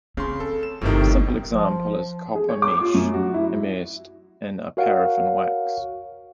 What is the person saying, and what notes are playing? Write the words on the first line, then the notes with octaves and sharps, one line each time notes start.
A simple example is a copper-mesh immersed in a paraffin-wax.
C#3 C4 C6
A4
E7
G1 A2 C3 D#3
F3
G#4
C#5
D6
F4
F#2
F#4
E4
F#4 A#4 C#5 F5 F#5